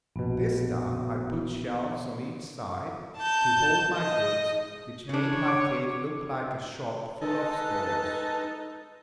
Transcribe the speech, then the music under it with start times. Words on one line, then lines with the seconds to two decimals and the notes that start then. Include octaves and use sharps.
This done, I put shelves on each side, to hold my goods, which made my cave look like a shop full of stores.
0.16 A#1 B2 B3
3.18 A5 G6
3.96 D#5
5.09 C#3 D4 C#5
5.48 D6
7.22 G#3 D#4 A4 B4 A5